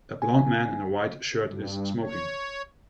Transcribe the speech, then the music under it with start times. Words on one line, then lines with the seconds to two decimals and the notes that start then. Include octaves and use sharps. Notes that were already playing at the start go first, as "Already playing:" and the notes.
A blond man in a white shirt is smoking.
0.22 G#5
1.44 G2
2.02 C#5